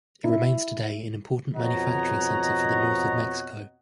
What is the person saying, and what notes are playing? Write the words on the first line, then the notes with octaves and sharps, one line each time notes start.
It remains today an important manufacturing centre for the north of Mexico.
E4
F2 B2 C#5 D#5 F#5 A#5